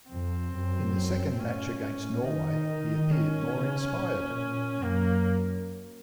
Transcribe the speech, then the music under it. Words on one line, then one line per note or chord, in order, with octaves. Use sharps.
In the second match against Norway, he appeared more inspired.
F2 C4
F#2
A2 C#4
C#4
D#3 D#4
C#4
C#3
A#2
F#2 A#3